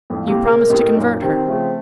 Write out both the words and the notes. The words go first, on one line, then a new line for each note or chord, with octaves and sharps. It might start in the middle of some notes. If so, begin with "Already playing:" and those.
"You promise to convert her?"
F2 A2
A#3
A2 C3
A#2 C#3 A#4
A2 C3 D#4
F#2 A#2 D#4
C3 D#3 C4
C#3 F3 A3